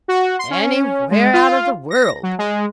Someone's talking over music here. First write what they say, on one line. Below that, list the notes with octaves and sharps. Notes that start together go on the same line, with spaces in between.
"Anywhere out of the world."
F#4
C6
C#4
G#3
F4
A#6
F#3
G#3